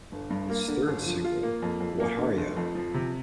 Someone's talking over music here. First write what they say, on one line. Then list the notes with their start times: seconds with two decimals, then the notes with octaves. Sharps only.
Its third single, Whatareya?
0.12 G1
0.30 G2
0.50 A#3
0.68 D3
0.87 G1
1.06 F3
1.24 F4
1.43 A#3
1.62 F2
1.81 F2
2.00 A#3
2.18 D3
2.37 F1
2.57 F2
2.75 F3
2.94 C3